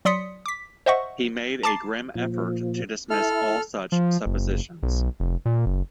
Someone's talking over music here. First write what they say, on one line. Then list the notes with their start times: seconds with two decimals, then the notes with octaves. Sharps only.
He made a grim effort to dismiss all such suppositions.
0.05 F#3 D5 C6 D#6 B6 C#7
0.46 D6 B6
0.86 C5 D#5 E5 F#5 C#6
1.63 A5 A#5 D6 A6 C7
2.15 A#2 F3
3.10 E4 A4 F6
3.92 F3
4.26 F#1
4.83 B1
5.20 F1
5.45 A#2
5.66 F#1